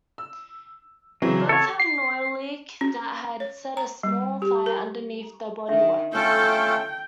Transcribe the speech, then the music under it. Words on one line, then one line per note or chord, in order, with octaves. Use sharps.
Both had an oil leak that had set a small fire underneath the bodywork.
E6
C#3 E3 F#3 C4
A4 C#5
C7
C#4
C#5
A#5
G3
G4
A#4
D#3 D4 E5
A3 C#4 F4 A4 G5